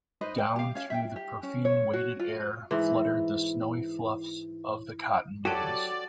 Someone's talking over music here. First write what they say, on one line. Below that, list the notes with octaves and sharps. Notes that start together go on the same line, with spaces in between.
Down through the perfume weighted air fluttered the snowy fluffs of the cottonwoods.
D#4 B4 C5 D#5
G5
G4 F5
C#4 F5
E5 F#5 G5
G4
C#4
C#5
F#4
F4
G#2 E3
F#3 F#4 G4 A4 D5